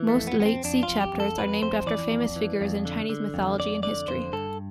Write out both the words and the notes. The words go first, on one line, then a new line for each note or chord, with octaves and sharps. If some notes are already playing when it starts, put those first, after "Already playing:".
Most "Liezi" chapters are named after famous figures in Chinese mythology and history.
Already playing: E3
A3
F2
B3
F2 B3
C4
F2 D4
F4
F2
G4
F2
A4
F2 B4
F2 C5
E3 D5
F2
E3
F2
D3
D3
F2
F2 D5
D3 D5
F2 C5
G2 A4